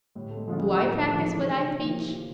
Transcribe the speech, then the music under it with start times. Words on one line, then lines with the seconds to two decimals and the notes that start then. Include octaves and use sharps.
Do I practise what I preach?
0.15 A2 G3
0.30 A3
0.37 G#3
0.48 F3 G#3 C#4 F4
0.58 G3
0.80 A2 F3
1.02 D#3
1.13 F3 G#3 C#4 F4
1.24 E3
1.46 C3
1.79 F3 A#3
2.12 C3 F3